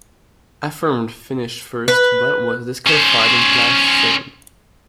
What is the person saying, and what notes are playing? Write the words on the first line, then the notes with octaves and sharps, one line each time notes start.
Affirmed finished first but was disqualified and placed second.
B4
C#4 C5